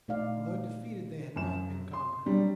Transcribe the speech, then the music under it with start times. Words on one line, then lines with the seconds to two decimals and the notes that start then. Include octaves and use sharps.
Although defeated they had not been conquered.
0.08 A#2 A3 D#4 D5 F5
1.36 F#2 E7
1.93 C6
2.26 F#3 G3 D4